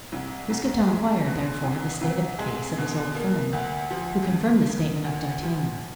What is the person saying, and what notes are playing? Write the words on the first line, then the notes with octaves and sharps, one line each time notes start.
Mousqueton inquired, therefore, the state of the case of his old friend, who confirmed the statement of D'Artagnan.
C2
C2
G#3
B2
C2
C2
G#3
B2
A#3
D2
F3
C#3
A#3
D2
F3